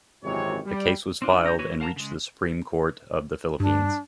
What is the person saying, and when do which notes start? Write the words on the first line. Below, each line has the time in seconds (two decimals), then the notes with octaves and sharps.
The case was filed and reached the Supreme Court of the Philippines.
0.23 G#1 F#2 C3 D#3 E3 C#5
0.65 G3
1.22 C4 D4 F4
1.43 C#4 A#5 G6
1.59 E3 F#4 B4 C#5
1.80 A#4 F5 F#5 A5 A#5
1.96 C#3 G#3
3.60 G2 D4